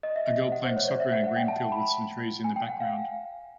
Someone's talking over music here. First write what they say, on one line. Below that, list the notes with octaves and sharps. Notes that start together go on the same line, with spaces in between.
A girl playing soccer in a green field with some trees in the background.
D#5
E5
D#5
F#5
C5
C#5
D5
E5
F#5
F#5
G5
A5
B5
G#5
G5
F#5
F5